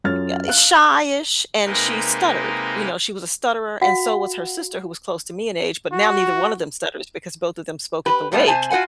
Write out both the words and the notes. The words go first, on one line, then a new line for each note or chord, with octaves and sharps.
eh, shy-ish and she stuttered, you know, she was a stutterer and so was her sister who was close to me in age, but now neither one of them stutters, because both of them spoke at the wake,
F#2 F4 A4 C#5 F6 A6
F5 F#6
C3 G#3 A#3 D#4 A#4 B4
F#4 F5 F#5
F#4
G4 B4
A2 G3 A3 B3 G4
C3 C5 G#5 A5
F4 F#4 C5 F#5 G#5